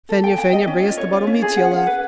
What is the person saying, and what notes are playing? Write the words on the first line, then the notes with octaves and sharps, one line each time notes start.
Fenya, Fenya, bring us the bottle Mitya left!
A4
G5
G5
D#5
C#4
F4
C#5
F4
C#4
G#4
F#5
F#5
B4